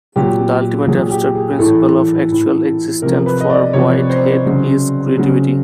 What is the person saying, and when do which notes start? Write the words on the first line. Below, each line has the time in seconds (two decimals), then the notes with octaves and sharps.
The ultimate abstract principle of actual existence for Whitehead is creativity.
0.16 A#2 F#3 G4
0.87 A#2 F#3 G#4
1.11 G4
1.35 G#4
1.59 A2 E3 A4
2.31 A2 E3
3.02 C3 F3 A#4
3.26 B4
3.40 D#5
3.50 D5
3.73 C3 F3 C#5
4.10 C5
4.45 C#3 F#3
5.17 C#3 F#3